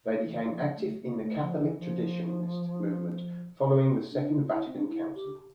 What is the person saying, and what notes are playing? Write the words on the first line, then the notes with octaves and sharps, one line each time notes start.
They became active in the Catholic Traditionalist Movement following the Second Vatican Council.
E3
F3
A3
A#3
A3
F3
E3
F3
D4
F4
E4
C4
D4
E4
G4